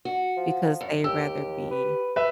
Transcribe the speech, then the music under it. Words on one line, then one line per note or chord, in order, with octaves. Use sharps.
because they rather be,
F#4
F3
F#2
D#2 G4 E6
B4
B4 E5